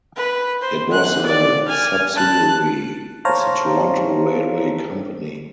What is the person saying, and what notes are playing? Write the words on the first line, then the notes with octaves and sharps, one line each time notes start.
It was a subsidiary of the Toronto Railway Company.
B4
C5
F#6
D5
G#5 F6
A5 F#6
C5 C#5 F5 A5 A#5